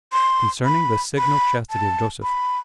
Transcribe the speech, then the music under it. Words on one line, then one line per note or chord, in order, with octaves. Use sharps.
Concerning The Signal Chastity Of Joseph.
C6
B5
B5
A5
B5